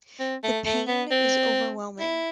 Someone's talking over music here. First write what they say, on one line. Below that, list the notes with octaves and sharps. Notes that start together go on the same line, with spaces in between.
The pain is overwhelming.
C4
A3
A3
B3
C4
E4